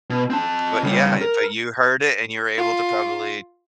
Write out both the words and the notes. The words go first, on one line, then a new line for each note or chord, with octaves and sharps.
But yeah, but you heard it, and you were able to probably
B2
C4 A5
C#3 G3
A#4
F4